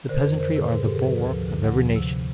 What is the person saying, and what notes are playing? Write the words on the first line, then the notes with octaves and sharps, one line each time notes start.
The peasantry are the bulwarks of every nation.
D3 A#4 C5
F2 A#4 C5
D#3 A#4 C5
C3 A4 B4
G#2 G#4 A#4
G#2 G4 A4
G#4 A#4
F3 A4 B4
D2
F3
D3
D2
F3
C3